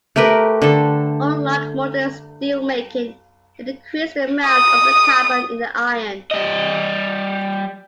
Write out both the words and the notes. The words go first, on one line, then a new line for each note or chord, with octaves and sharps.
Unlike modern steelmaking, it increased the amount of carbon in the iron.
A3 G4 A#4 B4
D3 A4
D#6
G3 D#5